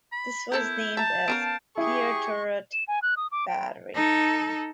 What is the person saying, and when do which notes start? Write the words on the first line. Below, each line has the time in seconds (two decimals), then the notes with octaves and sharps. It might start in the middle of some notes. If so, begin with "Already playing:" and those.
This was named as 'Pier Turret Battery'.
0.12 B5
0.52 B3 E4 A4 A#4 G6
0.97 E5 A5 A#5
1.28 B3 C#4 A#4 F5 D7
1.78 E4 G4 G#4 C#6
2.73 E7
2.88 G#5
3.02 F#6
3.17 D#6
3.32 D6
3.48 G5
3.95 D#4 A4